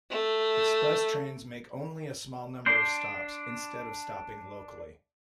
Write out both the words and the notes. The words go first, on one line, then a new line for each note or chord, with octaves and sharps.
Express trains make only a small number of stops, instead of stopping locally.
A3
D4 C6 G6